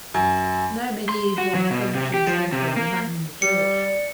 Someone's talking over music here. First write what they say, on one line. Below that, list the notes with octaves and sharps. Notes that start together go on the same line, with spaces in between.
No medieval furnishings therefore remain in the church.
F#2
C6
F#4
F#3
B2
C3
G4
F3
C3
A#3
G3 D5 C#7